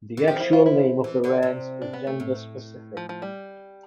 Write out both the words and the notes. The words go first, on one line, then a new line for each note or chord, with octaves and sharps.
The actual name of the ranks is gender-specific.
E3
F3 G4
E4
F4
E4
E3
D3
C3
D4
B3
A3
A2
F3
F3
G3